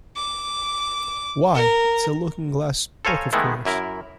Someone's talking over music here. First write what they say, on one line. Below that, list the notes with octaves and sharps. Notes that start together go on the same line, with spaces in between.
Why, it’s a Looking-glass book, of course!
D6
A#4
A4 C5 C#5 F5 G#5 A#5
D#3 E3 G#3 A3 B3 E4
F#2 E4 A#4